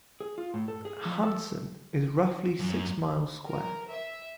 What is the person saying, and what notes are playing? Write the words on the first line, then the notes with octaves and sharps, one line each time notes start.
Hansen is roughly a six-mile square.
G#4
F4
A2
A4
G#4
F3
A4
F#2
A#4
E5